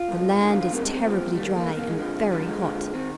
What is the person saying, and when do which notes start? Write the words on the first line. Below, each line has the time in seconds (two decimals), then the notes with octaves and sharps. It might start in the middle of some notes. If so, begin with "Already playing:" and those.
The land is terribly dry and very hot.
Already playing: F4
0.08 G2 F3
0.40 F2 D3 F3 D#4
0.51 F4
0.61 F4
0.72 C2 C3 D#3 A#3
0.82 G#3
0.88 D4
0.93 C4
1.04 C2 A#2 F3
1.35 D#2 D#3 G3
1.46 G#3
1.56 A#3
1.67 F2 D#3 G#3
1.77 A#3
1.88 G#3
1.98 F2 D3 F3 G#3
2.30 F2 D3 F3 G3
2.46 G#3
2.61 F2 D3 F3
2.93 D#3 C4